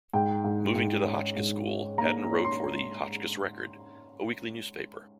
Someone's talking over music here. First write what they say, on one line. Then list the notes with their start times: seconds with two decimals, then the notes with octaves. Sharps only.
Moving to the Hotchkiss School, Hadden wrote for the "Hotchkiss Record", a weekly newspaper.
0.13 G#2 G5
0.44 G#2
0.75 G#2
1.06 C#4
1.36 G#2
1.68 C#4
1.98 A#3 A#5
2.29 C#4
2.44 C6